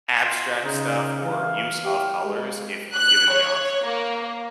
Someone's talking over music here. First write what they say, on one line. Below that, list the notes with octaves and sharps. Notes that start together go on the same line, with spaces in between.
abstract stuff or use of colors if given the option.
F4
C#3 D#4
E3 F5
G4
G#3
F#6
C#5
A#3